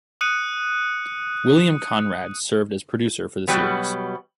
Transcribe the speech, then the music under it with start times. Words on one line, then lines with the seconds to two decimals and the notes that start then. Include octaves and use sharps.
William Conrad served as producer for the series.
0.21 D#6 F#6 C#7 D#7
3.48 B2 F#3 G3 B3